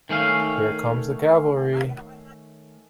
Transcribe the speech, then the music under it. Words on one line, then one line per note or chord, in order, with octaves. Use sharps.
Here comes the cavalry.
D#3 A3 C#4 F5